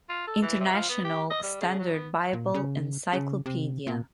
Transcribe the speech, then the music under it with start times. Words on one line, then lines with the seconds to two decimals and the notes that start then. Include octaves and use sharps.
"International Standard Bible Encyclopedia".
0.09 F4
0.27 A4
0.42 E3
0.60 C3
0.73 F3
0.89 B3
1.04 G4
1.31 D#5
1.43 G3
1.61 C#3
1.79 F#3
1.94 B3
2.33 A#2
2.54 C#3
3.13 C#3
3.46 C3
3.87 A#2